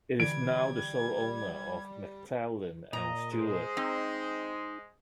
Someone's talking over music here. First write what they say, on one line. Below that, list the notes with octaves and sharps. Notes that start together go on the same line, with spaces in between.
It is now the sole owner of McClelland and Stewart.
D3 E3 G3 G#6 D7
A#2 D#5 A#5
G#3 G#4 C5 D#5
C4 D#4